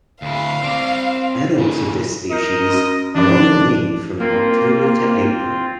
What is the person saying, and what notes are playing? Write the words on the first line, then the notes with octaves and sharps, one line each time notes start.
Adults of this species are on the wing from October to April.
D2 E4 F5
C4 D5
A#2 C#3
A#4 D#5 G6 C7 C#7
C#4 F#4
E3 F3 C#4 D4
A#3 C4 F4